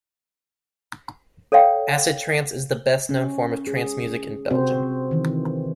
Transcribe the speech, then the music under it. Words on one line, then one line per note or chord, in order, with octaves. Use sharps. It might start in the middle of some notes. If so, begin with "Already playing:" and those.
Acid trance is the best known form of trance music in Belgium.
A4 C#5 D5 F5 G5
C#4
G#4
C3 C4 F#4 C5
D#3 E3